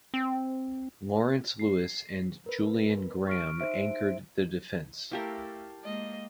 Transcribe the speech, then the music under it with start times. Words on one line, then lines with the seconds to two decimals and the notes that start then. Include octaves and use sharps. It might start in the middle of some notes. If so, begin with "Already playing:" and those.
Lawrence Lewis and Julian Graham anchored the defense.
0.14 C4
1.59 C7
2.46 A#4 B4
3.27 C#6 F6 D7
3.60 D#4 C5 E5 D7
5.11 A3 E4 G4 A#4 F5 G5 A5
5.84 G#3 A#3 D#5